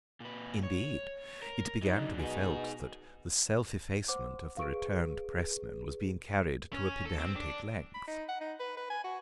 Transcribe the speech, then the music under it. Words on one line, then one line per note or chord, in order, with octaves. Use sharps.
Indeed, it began to be felt that the self-effacement of the returned pressmen was being carried to a pedantic length.
A#2 B4
C#5
A#4
F#3 D4 D#4
B2 D#4 G#4
C5 F#5 C6 D6
G#4 B4 F5 C#6 D7
C#4
A4
C4
D4
B5
D#4
F#5
D#4
B4
B4
G#5
F#4